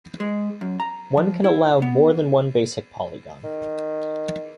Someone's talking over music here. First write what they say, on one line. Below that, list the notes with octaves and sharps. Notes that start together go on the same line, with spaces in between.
One can allow more than one basic polygon.
G#3
F#2
A#5
F3
E4
B3
D#3